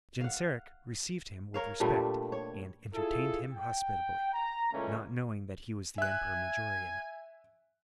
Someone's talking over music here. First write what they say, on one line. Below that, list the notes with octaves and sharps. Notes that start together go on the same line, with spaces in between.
Genseric received him with respect and entertained him hospitably, not knowing that he was the Emperor Majorian.
F5 F#5
A#4 C#5 F5
G2 A#2 G3 A3
C#5
E4 F4 G#4 A4
G5
A#5
C#2 A#2 E3 A3 A#3 C#4
E5 G#5 F#6